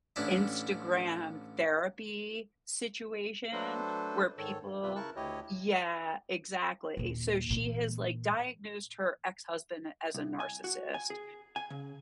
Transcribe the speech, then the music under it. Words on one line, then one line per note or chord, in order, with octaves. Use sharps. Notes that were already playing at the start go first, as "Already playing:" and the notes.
Instagram therapy situation where people yeah, exactly so, she has, like, diagnosed her ex-husband as a narcissist,
A1 C#4 D4 E4
F#3 A3 D4 A4 B4 C5
G#2 D#3 A4 C#5
G2
F#2 C3 F4 B4 E5
C#3 E4 A#4 A5 C#6 F#6
D2 E4 G4 C#5 D#5
D#2 A#2
A#2 E3
C2
G#5
F#4
G#5
G#4
G#5
C#3